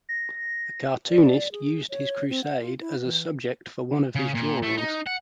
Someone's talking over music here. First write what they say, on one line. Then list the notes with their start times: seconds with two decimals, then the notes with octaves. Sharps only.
A cartoonist used his crusade as a subject for one of his drawings.
0.09 A#6
1.09 D5
1.52 G#4
1.90 C#5
2.30 C4
2.44 F#5
2.61 F4
2.80 E4
3.05 E3
4.15 C#3
4.35 A#2
4.63 A3
4.77 D#4
5.06 F#5